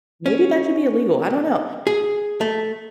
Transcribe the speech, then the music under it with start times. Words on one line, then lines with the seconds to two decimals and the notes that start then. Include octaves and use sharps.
maybe that should be illegal, I don't know,
0.26 C#4
1.87 G#4
2.41 A3